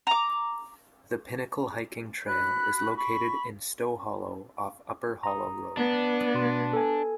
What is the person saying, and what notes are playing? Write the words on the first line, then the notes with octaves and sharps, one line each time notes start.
The Pinnacle hiking trail is located in Stowe Hollow off Upper Hollow Road.
A#5 D6
F#4 B5 F#6
B5 C#6
A#5 D#6
B3 D4
B2 C6
A4 G#5